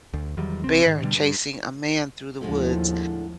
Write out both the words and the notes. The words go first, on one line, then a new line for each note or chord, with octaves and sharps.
bear chasing a man through the woods,
D2
E2 D#3 F#3 G3
C2 C4
G#2 D#3
G2 B2 D3 G3
G2
D#2 A2 D3 F3 G#3